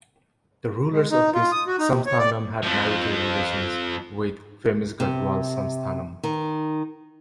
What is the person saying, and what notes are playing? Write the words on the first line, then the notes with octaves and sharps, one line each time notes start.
The rulers of this Samsthanam had marital relations with famous Gadwal Samsthanam.
G#3
D#4
F4
D#6
F#4
D#4
C3
C#5
D5
F2 F3
C3
D#3